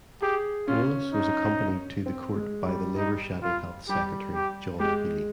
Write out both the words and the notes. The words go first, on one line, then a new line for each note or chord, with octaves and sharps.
Woolas was accompanied to court by the Labour Shadow Health Secretary John Healey.
G4 G#4
C#4 F4
D#4
C4
G#3
G3
D#4
F4
G3 G4
G4
G#3 G4